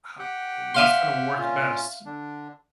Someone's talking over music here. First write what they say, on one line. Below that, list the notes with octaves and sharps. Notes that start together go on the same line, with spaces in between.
How what's gonna work best?
G4 F#5 G5
E5 F5 C6
A#2 C#4 F4
D3 D4